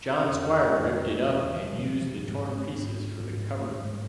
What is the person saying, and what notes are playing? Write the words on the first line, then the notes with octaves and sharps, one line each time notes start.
John Squire ripped it up and used the torn pieces for the cover.
F2 D3
F2 D3
E2 B2 E3
D3
E3
D3
E2 B2 F3
E3
F3
G#2 G#3
G#3
C4
G#2 B3
G#2
A3
G#2 G#3
F3
G#3